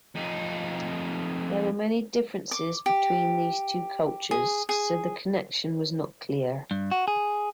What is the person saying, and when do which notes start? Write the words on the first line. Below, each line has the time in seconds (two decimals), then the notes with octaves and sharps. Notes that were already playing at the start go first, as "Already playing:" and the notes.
There were many differences between these two cultures, so the connection was not clear.
0.15 F2 D#4
2.51 D6
2.86 G4
4.31 G#4
4.69 G#4
6.71 G2
6.91 F#4
7.08 G#4